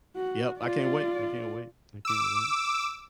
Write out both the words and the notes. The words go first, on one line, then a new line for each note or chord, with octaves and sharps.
Yep, I can't wait, I can't wait, I can't wait.
F#4
F4 D5
D6 E6